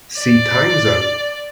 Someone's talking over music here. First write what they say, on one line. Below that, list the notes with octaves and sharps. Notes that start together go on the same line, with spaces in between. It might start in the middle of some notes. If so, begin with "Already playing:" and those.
See Time zone.
D5